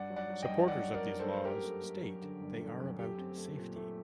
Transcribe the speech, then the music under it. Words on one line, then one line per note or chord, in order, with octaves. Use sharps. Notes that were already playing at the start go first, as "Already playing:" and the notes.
Supporters of these laws state they are about safety.
Already playing: G2 D5 F#5
F#3
D5 F#5
F#3
D#5 G5
G2
F#3 D5 F#5
F#3
A#4 D5
G2
A4 C5
A3
C5
F#2 G4 A#4
A3
A3
F#2
D3
G1
A3
F#2
A3 G4
C4
A3
A#2
A3